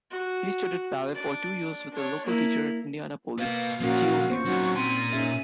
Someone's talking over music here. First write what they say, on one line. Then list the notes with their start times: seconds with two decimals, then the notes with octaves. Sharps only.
He studied ballet for two years with a local teacher in Indianapolis, Theo Hewes.
0.11 F#4
1.14 D4 D5
1.91 D4 C#5
2.25 A#3 E4
3.39 A#3 B4 D#5 F5
3.80 A#2 F3 A#3 C#4 F#4 A#4
4.30 F4 C5 C#6
4.45 F#3 C4 C#4 D#4 F#4
4.76 A#2 C4 C6 D#7
5.13 C#4 D#4 G#4 E5